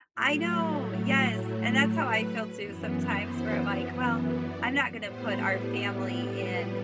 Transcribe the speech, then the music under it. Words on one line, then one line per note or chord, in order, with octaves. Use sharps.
I know, yes, and that's how I feel too sometimes where I'm like, well, I'm not gonna put our family in
A2 F#3 A3 E4
F#4
B4
F#2 E3 B3
C5
D5
A2 G3 B3 C5
B4